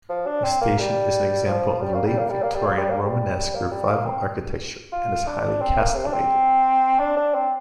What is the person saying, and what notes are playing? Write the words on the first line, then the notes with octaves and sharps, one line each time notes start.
The station is an example of late-Victorian Romanesque Revival architecture and is highly castellated.
F3
D4
C4
A#3
G3
F3
G3
A#3
G3
A#3
G3
A#3
G3
A#3
G3
A#3
G3
A#3
G3
A#3
C4
F4
D4
C4
A#3
C3
D4
C4
D4
D4
C4